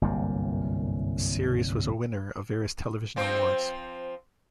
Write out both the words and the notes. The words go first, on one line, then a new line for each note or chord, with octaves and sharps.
The series was a winner of various television awards.
G1 C2 F#2 A#3
F3 C4 C5